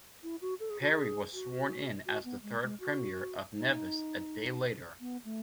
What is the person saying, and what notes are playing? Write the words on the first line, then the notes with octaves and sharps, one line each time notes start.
Parry was sworn in as the third Premier of Nevis a day later.
E4
F#4
A4
G#4
F#4
G#4
F#4
F#4
B3
G#3
G#3
F#4
D#4
B3
A3